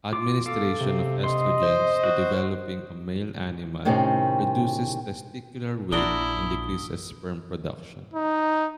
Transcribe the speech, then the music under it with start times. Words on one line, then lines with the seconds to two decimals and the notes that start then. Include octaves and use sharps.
Administration of estrogens to developing male animals reduces testicular weight and decreases sperm production.
0.13 F4 D6
0.46 A4 F5 D6
0.81 C3
1.24 D#5 C6
1.63 C5
2.04 F#4
3.85 A2 C3 D#3 C4 C#4
5.92 A#1 D4 E4 F#4 A#4 D#6 G7
8.14 D#4